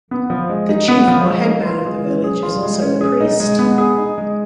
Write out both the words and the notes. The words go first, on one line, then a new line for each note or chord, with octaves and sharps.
The chief or headman of the village is also the priest.
B3
F3
G#3
D#4
B3
F3
G#3
D#4
F4
G#3
C#4
G#4
F4
G#3
C#4
G#4
D#4
G#3
B3
G#4
D#4
G#3